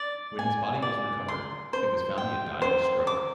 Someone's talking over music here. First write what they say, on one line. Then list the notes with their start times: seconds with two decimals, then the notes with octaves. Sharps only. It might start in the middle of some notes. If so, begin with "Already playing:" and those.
When his body was recovered, it was found he had died of a stroke.
Already playing: D5
0.39 G#5
0.82 D5
1.28 C6
1.73 C5
2.18 G5
2.62 C5
3.07 D6